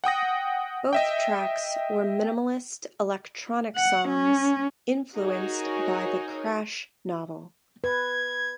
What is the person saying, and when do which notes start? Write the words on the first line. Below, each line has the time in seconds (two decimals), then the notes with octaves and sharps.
Both tracks were minimalist electronic songs influenced by the "Crash" novel.
0.04 F#5 G5 D#6 A#6
0.93 D#5 E5 G5
3.76 F#5
4.08 C#4
5.17 D#4 F#4 G#4 A#4 C#5
7.84 B4 G#6